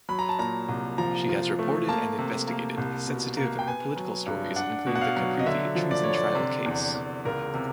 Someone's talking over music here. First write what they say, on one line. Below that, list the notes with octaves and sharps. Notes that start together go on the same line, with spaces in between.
She has reported and investigated sensitive political stories including the Caprivi treason trial case.
F#3 B5
A#5
A5
A#2 A#5
C2
F3 A#5
F3
A3
A#3 A5
C3
A#3
C2
B2
A#3
G5
B3 G#5
F#3
G2
D4 F#5
B2
F#5
F5
F#3
D#5
D3 E5
F3
D5
D3 C#5
D5
C3
E2
E2
C#2 A#4
C3